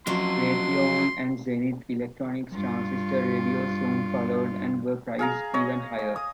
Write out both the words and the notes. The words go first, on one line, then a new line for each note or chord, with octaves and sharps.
Raytheon and Zenith Electronics transistor radios soon followed and were priced even higher.
F2 F#3 C#4 E4 C6
G2 F4
G#4 F5 A#5
C#5 D#5
D#5
D#6